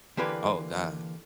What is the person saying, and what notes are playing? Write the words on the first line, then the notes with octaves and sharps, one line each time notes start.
Oh god.
D3 E3 A#3 G4 B4